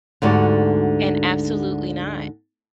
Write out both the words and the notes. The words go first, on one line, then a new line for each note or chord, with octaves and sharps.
And absolutely not.
D2 G#2 D3 F#4 G4 D5